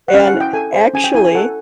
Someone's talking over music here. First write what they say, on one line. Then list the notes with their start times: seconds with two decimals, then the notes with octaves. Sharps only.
and actually,
0.08 F#5
0.14 C#4 F5
0.27 F#5
0.34 E4
0.41 G5
0.53 A4 G#5
0.73 C5
0.94 C#4 G#5
1.04 G5
1.14 E4 G#5
1.25 G#5
1.35 A4 F#5